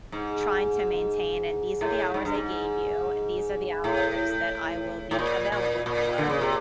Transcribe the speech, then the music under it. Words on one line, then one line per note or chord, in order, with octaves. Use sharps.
trying to maintain, and these are the hours I gave you, "These are the hours that I will be available for,"
G#2
A2
G#2
G2
G#2
A2
A2
A#2
A#2
A#2
D3
C#3
C3